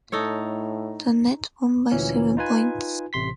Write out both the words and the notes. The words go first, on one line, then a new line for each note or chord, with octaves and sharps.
The Nets won by seven points.
A2 D#4 A4 C#5
D2 A#2 E3 C#4
D#4 F4 B4 G#5
A1 C3 C6 B6